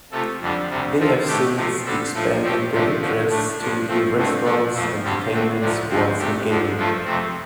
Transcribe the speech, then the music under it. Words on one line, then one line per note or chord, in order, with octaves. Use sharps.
They have since expanded their interests to include restaurants, entertainment, sports and gaming.
C3 A3 F4 A4
F2 D3 G3 D4
D2 C3 G3
F3 C4 F4 A4
A2 A3 D4 G4
C3 F3 A3
D3 G3 C4 A4
A2 F3 A3
F3 A3 C4 G4
C3 F3 A3 D4 G4
D3 F3 A3
A2 A3 D4
G2 F3 D4
F3 A3 C4
G2 D3 A3 C4
F3 D4 A4
F2 F3 A3
G2 D3 G3 C4 G4
D3 A3 C4
D2 C3 F3 D4
D2 D3 F3 C4
C3 A3 D4 G4
F2 D3 F3 D4
G2 F3 A3 F4 A4
F2 C3 A3 C4